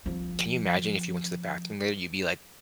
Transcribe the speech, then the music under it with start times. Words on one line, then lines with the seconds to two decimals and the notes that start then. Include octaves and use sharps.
can you imagine if you went to the bathroom there, you'd be, like,
0.06 F3 C4